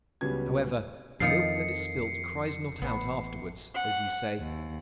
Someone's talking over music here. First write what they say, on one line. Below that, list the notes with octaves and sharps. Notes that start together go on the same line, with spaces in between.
However, 'the milk that is spilt cries not out afterwards,' as you say.
C#2 F#3 G3 B3 C#4 G#6
F2 D#3 F3 A4 C7 C#7
A1 B3
F#5
D#2